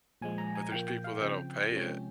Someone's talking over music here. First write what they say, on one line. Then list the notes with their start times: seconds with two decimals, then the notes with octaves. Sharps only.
But there's people that'll pay it,
0.21 A#2 F3 G#3 G#5
0.38 A#5
0.55 G#5
0.72 A#2 F3 A#3 G5
0.88 G5
1.04 F5
1.21 C#3 F3 C4 G5
1.71 C3 F3 G#3 C#4